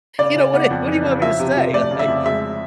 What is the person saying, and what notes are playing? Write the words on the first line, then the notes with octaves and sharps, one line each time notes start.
you know, what you what do you want me to say, like,
C#3 D5
C#3
B3
F2
E3
C#3
F3 E5
C3
F3
A3 D5
C#3
E5
F2
G#3 E5